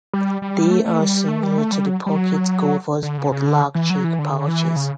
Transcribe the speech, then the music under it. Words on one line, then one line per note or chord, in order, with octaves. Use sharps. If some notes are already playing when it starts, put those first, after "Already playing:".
They are similar to the pocket gophers but lack cheek pouches.
G3
G3
A3
A3
G3
A3
G3
A3
G3
F#3
G3
F#3
D3
C#3
C#3
D3
E3
F#3
E3
D3
E3
C#3